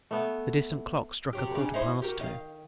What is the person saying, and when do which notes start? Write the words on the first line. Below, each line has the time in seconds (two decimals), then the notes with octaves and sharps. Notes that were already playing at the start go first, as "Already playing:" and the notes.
The distant clock struck a quarter-past two.
0.11 A3 B3
1.33 C3 F#3 G4
1.55 C#3 D4
1.74 D#4 E4 C5
2.02 A#3 F#4 G4
2.19 D#3 D#5 F5